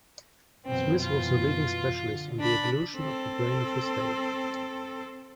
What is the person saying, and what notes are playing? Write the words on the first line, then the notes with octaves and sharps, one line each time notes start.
Smith was the leading specialist on the evolution of the brain of his day.
F#2 B2 E3 C4
F4
D3
D4 B5
C4 A4